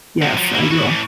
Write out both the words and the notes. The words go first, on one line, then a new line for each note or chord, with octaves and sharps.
Yes. I will.
C3 F3
F3 F#3
A#3 E4
E4 F#4
A2 E3